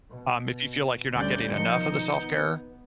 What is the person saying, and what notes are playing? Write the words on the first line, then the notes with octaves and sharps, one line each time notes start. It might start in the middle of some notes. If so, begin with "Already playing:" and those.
um, if you feel like, you're not getting enough of the self-care,
B2
D2 D3 G3 C#4 D5 G6
B2 D#3 F3 D#4 G6 C#7
B3